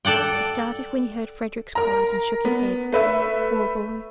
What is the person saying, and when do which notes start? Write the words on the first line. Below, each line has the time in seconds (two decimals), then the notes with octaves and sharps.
He started when he heard Frederick's cries, and shook his head:--'Poor boy!
0.05 A4 D5 F#5 G5
1.75 A#4 A#5
2.45 B3
2.92 A3 B4 E5